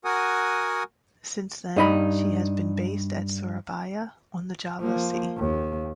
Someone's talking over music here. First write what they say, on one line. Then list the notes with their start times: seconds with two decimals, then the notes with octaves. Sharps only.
Since then, she has been based at Surabaya on the Java Sea.
0.05 F#4 A#4 F#5 G#5 D#6
1.76 G2 D#4 B5
4.80 F3 A#3
5.37 D#2